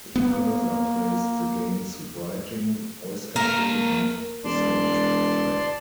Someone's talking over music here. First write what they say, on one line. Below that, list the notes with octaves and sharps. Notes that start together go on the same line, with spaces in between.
He further praised the game's writing, voice acting and soundtrack.
A#3 B3
A#3 A#4 E5
E1 D5 A5 C6